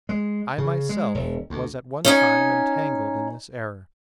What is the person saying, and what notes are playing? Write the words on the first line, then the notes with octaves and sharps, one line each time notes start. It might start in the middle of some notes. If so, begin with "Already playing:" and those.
I myself was at one time entangled in this error.
G#3
C#3
G#3
E1
D2
C#4 D#4 G#5